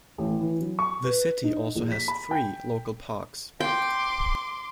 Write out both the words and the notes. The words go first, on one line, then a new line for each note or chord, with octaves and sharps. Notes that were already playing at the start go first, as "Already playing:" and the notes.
The city also has three local parks.
A1
E3
F#3
C#6
B4
D#4
A#1
B6
B5
G5
G5 C6 D6